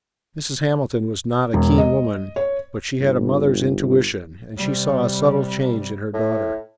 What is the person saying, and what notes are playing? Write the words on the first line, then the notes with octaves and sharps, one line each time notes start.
Mrs. Hamilton was not a keen woman, but she had a mother's intuitions, and she saw a subtle change in her daughter.
E1
D#5
C#5
G1
C3 G3
A2